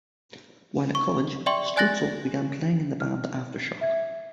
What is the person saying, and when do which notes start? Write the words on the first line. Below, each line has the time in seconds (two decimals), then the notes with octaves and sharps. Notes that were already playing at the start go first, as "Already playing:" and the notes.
While at college Stroetzel began playing in the band Aftershock.
0.95 C#6
1.46 D5 E5 G5 C6 C#6
1.77 D5 G#5 F#6 A6 A#6 F#7
3.01 F6
3.81 E5 G#6